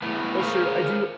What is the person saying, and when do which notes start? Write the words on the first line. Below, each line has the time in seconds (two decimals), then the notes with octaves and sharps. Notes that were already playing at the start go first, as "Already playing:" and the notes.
That's true. I do
0.02 A2 F#3 A3 B3
0.39 G#4 A#4 C5 C#5 F5